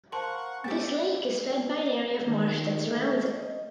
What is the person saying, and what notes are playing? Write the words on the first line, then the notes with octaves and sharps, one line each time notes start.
This lake is fed by an area of marsh that surrounds it.
A#4 C5 F5 F#5 A5 C6 C#6
A3 B3 C4 G4
D#3
A3
D#5